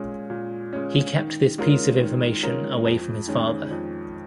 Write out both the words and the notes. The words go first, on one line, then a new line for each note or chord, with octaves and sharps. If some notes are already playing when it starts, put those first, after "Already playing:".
He kept this piece of information away from his father.
Already playing: A#2 G#3 C#4
A#2
G#3 C#4
D#3
G#3 C#4 F4 A#4
D#3
G#3 C#4 F4 A#4
F2
D#3 G#3 C#4
F2